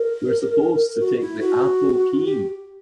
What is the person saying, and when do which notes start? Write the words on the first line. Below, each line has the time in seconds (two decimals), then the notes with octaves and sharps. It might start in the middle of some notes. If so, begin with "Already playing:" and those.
We're supposed to take the Appel Quay!
Already playing: A#4
0.99 F#4
1.20 E4
1.40 F#4
2.24 G4